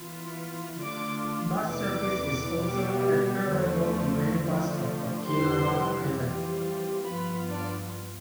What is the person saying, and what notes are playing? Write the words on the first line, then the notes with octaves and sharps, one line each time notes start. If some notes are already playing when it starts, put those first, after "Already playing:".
Bus service is also available to many parts of Okinawa Island.
Already playing: E3 B3 F4
D3 A3 D4 F4 D5 D6
E2 C3 E3 B3 D5 D6
B2 G3 B3
E2 D3 F3 A3
D3 F3 A3
F2 C3 E3 G3 C5 C6
E3 G3 C4 F4
G2 F3 B3 F4 B4 B5
D4 D5